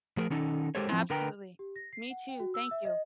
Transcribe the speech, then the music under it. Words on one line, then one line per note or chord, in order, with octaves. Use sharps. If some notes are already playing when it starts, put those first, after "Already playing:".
Absolutely. Me too, thank you.
F3 A3 G#4 A#4
D#3 C#4 D#4 A4
G#3 G4 A4 A#4 C5 C#5
F3 C4 E4
D3 A#4 B4 G5 A#5
G4
A#6
C7
F#5
G5
F#4
E6
E5
D#5